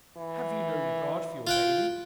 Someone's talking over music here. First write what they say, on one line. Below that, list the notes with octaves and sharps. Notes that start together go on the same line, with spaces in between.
Have you no regard for your baby?'
E3
F4 F#5 G5